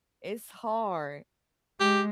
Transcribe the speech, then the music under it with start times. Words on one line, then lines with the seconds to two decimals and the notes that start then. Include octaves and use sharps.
it's hard.
1.80 G#3 G4